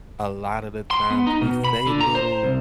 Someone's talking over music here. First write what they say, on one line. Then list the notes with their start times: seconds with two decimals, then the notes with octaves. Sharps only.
a lot of the times, we say little
0.91 C6
1.10 B3
1.27 D#4
1.42 B2
1.64 B5
1.87 D3
2.01 A#5
2.15 C5
2.43 C2